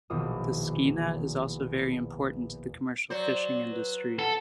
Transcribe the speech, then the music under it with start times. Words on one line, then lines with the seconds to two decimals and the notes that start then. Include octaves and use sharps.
The Skeena is also very important to the commercial fishing industry.
0.10 A#1 E2 B2 D#3 D#6
3.10 F#3 C5 D5
3.71 B4
4.19 A4 F#5